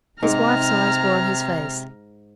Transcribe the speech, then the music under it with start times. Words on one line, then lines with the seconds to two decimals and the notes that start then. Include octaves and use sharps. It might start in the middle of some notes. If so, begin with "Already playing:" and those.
His wife's eyes were on his face.
0.23 G#2 C3 A#5 F6